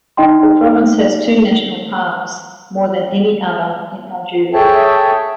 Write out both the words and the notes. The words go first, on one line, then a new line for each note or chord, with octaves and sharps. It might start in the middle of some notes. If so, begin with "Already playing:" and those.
The province has two national parks, more than any other in Algeria.
D#4 D#5 G5 C6
G#4 A4 C#5 E5 G5 A5